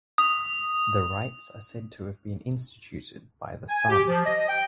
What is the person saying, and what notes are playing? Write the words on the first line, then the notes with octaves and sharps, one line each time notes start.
The rites are said to have been instituted by the Sun.
D#6
G#5
G4
F3
D#5
G5